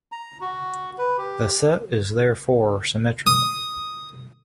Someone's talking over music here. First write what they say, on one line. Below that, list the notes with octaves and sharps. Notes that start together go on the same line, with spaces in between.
The set is therefore symmetrical.
A#5
F#4
B4
G4
D#6